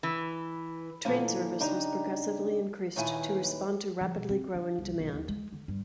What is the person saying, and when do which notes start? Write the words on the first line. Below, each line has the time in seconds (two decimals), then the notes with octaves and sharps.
Train service was progressively increased to respond to rapidly growing demand.
0.03 E3
1.05 A#2 D3 E3 F3 A#3
1.60 C#3 D4 D#4 G4 A#5
2.96 D#2 A#2 D#3 E4 B4 G#5
4.01 F3
4.15 B2
4.29 C4
4.55 D4
4.79 C2
4.99 B1
5.13 D#2
5.29 G#3
5.52 D3
5.68 G2